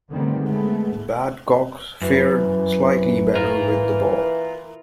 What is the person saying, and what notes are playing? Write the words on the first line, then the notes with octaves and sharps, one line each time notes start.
Badcock fared slightly better with the ball.
D3 D#3 G3 A3 B3 C4
G#3 A3 B3
F#2 E3
F4 A#4